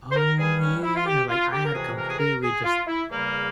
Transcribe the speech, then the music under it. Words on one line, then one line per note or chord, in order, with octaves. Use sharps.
"Oh, yeah." Like, I had completely just
C5
A#4
G2 E3 G3 G#4
C#4
E4
F4
G4
F4
G4
A#4
F2 C3 E3 G#3 G#4
A#4
G#4
A#4
G#4
F4
E4
E2 C#3 G3 A#3